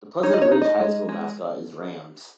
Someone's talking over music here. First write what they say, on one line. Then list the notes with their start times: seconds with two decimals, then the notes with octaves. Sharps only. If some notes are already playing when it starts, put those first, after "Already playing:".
The Pleasant Ridge High School mascot is Rams.
0.23 D#4 C#5
0.34 D#5
0.42 C#5
0.51 D#4
0.62 D#5
0.80 G#3
1.09 G#3